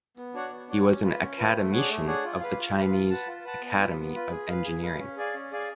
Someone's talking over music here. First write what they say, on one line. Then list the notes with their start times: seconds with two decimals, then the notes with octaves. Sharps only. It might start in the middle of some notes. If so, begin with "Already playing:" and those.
He was an academician of the Chinese Academy of Engineering.
0.17 B3
0.34 D4 F#4 C#5 F#5
0.52 B3
0.68 D4 F#4 C#5 F#5
0.86 C#4
1.03 F4 B4
1.20 C#4
1.38 F4 B4
1.54 A3
1.72 D4 G#4 C#5 F#5
1.89 A3
2.07 D4 G#4 C#5 F#5
2.24 F4
2.40 B4 F5
2.58 F4
2.75 B4 F5
2.92 F4
3.10 B4 F#5 A5
3.27 F4
3.44 B4 F#5 A5
3.62 B3
3.78 F4 B4
3.96 B3
4.14 F4 B4
4.31 G#4
4.48 B4 F5
4.65 G#4
4.82 B4 F5
4.99 C#4
5.16 G#4 D5 F5 G#5
5.34 C#4
5.52 G#4 D5 F5 G#5